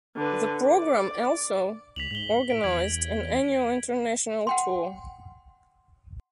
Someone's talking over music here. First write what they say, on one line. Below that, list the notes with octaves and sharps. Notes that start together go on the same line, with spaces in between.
The program also organised an annual international tour.
D3 B4
D5
C#2 B6 F7 F#7
G#2 B6 G7
A2 D7
E2 G#6 F#7
F#5 G5 C6